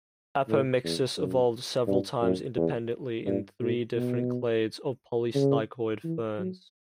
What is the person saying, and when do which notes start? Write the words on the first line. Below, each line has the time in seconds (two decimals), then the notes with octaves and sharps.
Apomixis evolved several times independently in three different clades of polystichoid ferns.
0.49 A2
0.84 E2
1.18 F#2
1.87 G2
2.22 F#2
2.57 E2
3.27 G2
3.61 A2
3.96 B2
5.35 C#3
6.04 E3
6.39 F#3